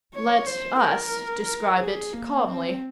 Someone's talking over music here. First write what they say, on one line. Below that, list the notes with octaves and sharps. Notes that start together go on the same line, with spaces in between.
Let us describe it calmly.
C#5
C5
A#4
G#4
A#3
C4